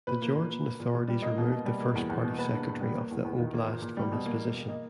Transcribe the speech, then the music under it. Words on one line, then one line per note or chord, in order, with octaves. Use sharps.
The Georgian authorities removed the First Party Secretary of the oblast from his position.
A#2 B4
A#3
A#2
A#3
A#3
A#2
A#2
G3
A#3 D#5
B2
B2
G3
A#3
E2
E2
B2
A#3 B4
G2
G2
G3
A#3
E2
E2
D#3
A#3
A#2
A#2
G3
B2
A#3
B2
A#3
A#3 D#5